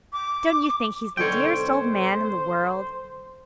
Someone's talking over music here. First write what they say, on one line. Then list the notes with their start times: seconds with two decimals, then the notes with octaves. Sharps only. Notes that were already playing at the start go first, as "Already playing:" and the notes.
Don't you think he's the dearest old man in the world?
0.12 D6
1.17 B1 D3 C5 C#5 G5